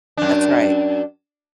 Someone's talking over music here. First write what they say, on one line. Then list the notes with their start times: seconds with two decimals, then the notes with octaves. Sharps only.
That's right.
0.17 F#2 D4